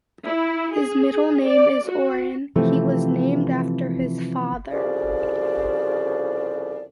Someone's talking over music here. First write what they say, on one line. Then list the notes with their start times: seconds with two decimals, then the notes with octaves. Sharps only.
His middle name is Orin; he was named after his father.
0.25 E4
0.74 G#4
1.46 D5
1.88 F#4
2.55 C3 E3 F3 A3 C4
4.72 C2 F2 C#3 F3 G4 D5